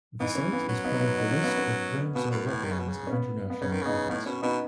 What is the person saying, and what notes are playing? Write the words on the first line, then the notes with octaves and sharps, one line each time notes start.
The site is part of the List of Ramsar wetlands of international importance.
E3 B3 D#4
C#4
B3
F#3
B3 D#4
B3
D#4
C#4
B3
C#4
B2 B3
F#2
A2
D#3
C#3
B2
C#3
C#4
B3
B3
C#3 C#4
D#3
C#3 B3 D#4
A2 B3
B2 C#4
B2 B3 D#4